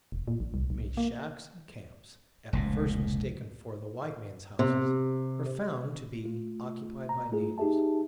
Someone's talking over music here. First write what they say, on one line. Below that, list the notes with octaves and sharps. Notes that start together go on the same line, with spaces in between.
Many shacks and camps, at first mistaken for the white men's houses, were found to be occupied by natives.
E1
A#2
A#1
C2
B1
A#3
F1 C#2 A#2
C3
A3 F4
A#5
A3 E4 F4 G#4
D#4 G4 G#4 E5 A5